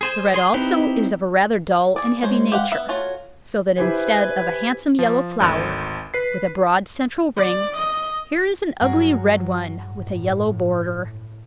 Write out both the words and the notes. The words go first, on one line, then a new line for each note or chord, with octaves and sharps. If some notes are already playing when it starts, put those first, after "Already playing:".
The red also is of a rather dull and heavy nature, so that instead of a handsome yellow flower with a broad central ring, here is an ugly red one with a yellow border.
G#4 C5 G#5
G#4 C6
C4 D#4 E4 G4 B4
G#4 D5
F#3 G#3 C5 C#5
G4 F5 F#5
B3 E5 B5
A3 F4 F#4 C#5
E4 G4 B4 C5 G#5
F3
G#1 D2
B4 C7
D5
D#5
G2 F#3 F#4 G#4 A#4
A2